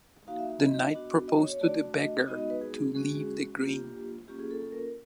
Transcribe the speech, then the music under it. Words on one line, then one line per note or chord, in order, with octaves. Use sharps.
The knight proposed to the beggar to leave the grain.
A#3 D#4 F#4 F5
E5
E5
D#5
B3 D4 F#4
D#5
C#5
C#5
A3 D4 F#4 D5
D#5
G#3 B3 D#4 F#4 D#5
D#5
B4
G#4
G#3 C#4 F#4 G#4
A#3 D4 F4 G4
A#3 C#4 F4 G4
G#4
A4
A4
A#4